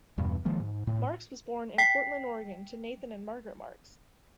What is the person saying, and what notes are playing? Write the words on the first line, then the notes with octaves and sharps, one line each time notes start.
Marks was born in Portland, Oregon to Nathan and Margaret Marks.
E2 G2 B2
D#3 F3 G#3 A#3
G#2
A2
G5 B6 C7